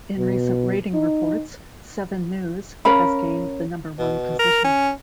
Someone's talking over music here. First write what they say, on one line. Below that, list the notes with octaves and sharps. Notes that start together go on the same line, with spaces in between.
In recent ratings reports, "Seven News" has gained the number one position.
B2
D#4
C#4 A#4 F5 B5
B2
A#4
C#4